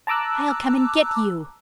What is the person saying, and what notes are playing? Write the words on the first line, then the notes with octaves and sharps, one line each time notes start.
"I'll come and get you."
A5 A#5 D6 E6 F#6